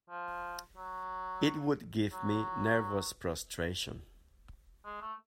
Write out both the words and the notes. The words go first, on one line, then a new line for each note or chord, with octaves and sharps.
It would give me nervous prostration.
F3
F#3
F#3
G#3
A3